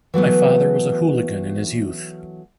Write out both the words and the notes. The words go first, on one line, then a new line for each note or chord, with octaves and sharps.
My father was a hooligan in his youth.
E3 F#3 A3 B3